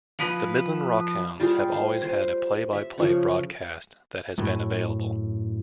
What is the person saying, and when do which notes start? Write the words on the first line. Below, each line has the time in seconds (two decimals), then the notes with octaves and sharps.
The Midland Rockhounds have always had a play-by-play broadcast that has been available.
0.20 F3 B4
1.40 G3 F4 G4 G#4
1.72 C5
2.02 C5
2.73 E5
2.98 C#3 F3 C#6
4.38 F#2 A2